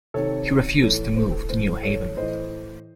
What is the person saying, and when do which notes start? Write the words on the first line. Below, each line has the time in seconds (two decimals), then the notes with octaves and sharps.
He refused to move to New Haven.
0.14 C3 D#3 A4 C#5
0.82 A2 E3 A4 C#5
1.16 C5
1.32 A4
1.49 A2 E3 C5
1.83 A4 C#5
2.17 A2 E3 C5 D#5